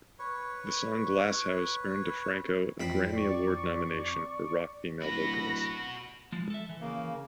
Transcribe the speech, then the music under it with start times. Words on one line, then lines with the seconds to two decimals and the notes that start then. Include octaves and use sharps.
The song "Glass House" earned DiFranco a Grammy Award nomination for Rock Female Vocalist.
0.19 B4 C#5 C#6
2.80 F2 C4 B5
3.12 D5 C#6
5.02 D1 F#4 B4 B5 A#6
6.32 F3 G#3
6.50 A4 E5
6.69 E3
6.81 C#3 A#3